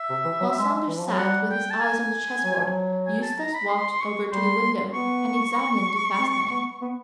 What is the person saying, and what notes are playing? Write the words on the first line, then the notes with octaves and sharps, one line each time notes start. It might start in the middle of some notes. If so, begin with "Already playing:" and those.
While Saunders sat with his eyes on the chessboard, Eustace walked over to the window and examined the fastenings.
Already playing: E5
C3
E3
F#3
G#3
E3
F3
F#3
G3 F#5
G5
A5
G#5
F#3
F3
F#3
G#5
A5
A#5
B5
C6
C6
C#6
G3 C6
B3 C#6
C4
B3
B3